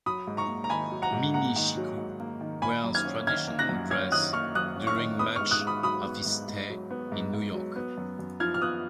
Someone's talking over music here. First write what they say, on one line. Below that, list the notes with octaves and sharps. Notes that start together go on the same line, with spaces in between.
Mimi-Siku wears traditional dress during much of his stay in New York.
F#3 B5 D#6
G#2
A#5 C#6
A#3
A#5
D#3 G#5 B5
F#3
F#5 A#5
G#2
A#3 F#5 A#5
D#3
F#3
G#2
A#3
D#3
A#3 G#5 B5
F#2
F6 G#6
C#4
D#3 F6 G#6
A#3
F#6 A#6
F#2
C#4 F6 G#6
D#3 D#6 F#6
A#3 C#6 F6
F#2 D#6 F#6
C#4
C#6 F6
D#3
B3 B5 D#6
C#6 F6
G#2
D#6 F#6
G#2
B5 D#6
F#3 B5 D#6
B3
G#2
G#2
F#3
B3
G#2
G#2
F#3
B3
F#2
F#2
F3 F6 G#6
F6
B3 D#6 F#6